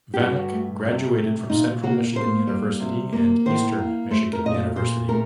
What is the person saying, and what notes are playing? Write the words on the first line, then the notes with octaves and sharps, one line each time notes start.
Vanek graduated from Central Michigan University and Eastern Michigan University.
G4
G2 F#4
A3
C3
A3
A#2 D#4
A#3 F#4
A#3 C5
G3
C3
A#3
A2 C5
A#3
A3 C5
A#4
A#2 D#5
D5
A#2 C5
A3 A#4